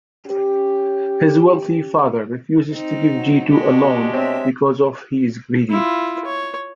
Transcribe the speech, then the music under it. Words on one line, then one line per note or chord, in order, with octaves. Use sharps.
His wealthy father refuses to give Jeetu a loan because of he is greedy.
C#4 G4
C4 D#4
F#3
B2 G#3 D4 F#4 G4
C4 C#5 E5
E4 F4
C#5